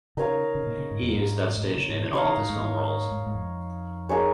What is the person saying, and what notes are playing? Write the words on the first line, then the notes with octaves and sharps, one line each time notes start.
He used that stage name in all of his film roles.
C#3 D#4 A#4 C#5 F5
C#3
A#2
C#3
G#2
F2
G#2
G#2
A#2
C#3
G#2
A#2
C#3 D#4 C#5 F5
C#3
G#2
G#2
G#2
G#2
G#2
F2
A#3 D#4 G#4 C#5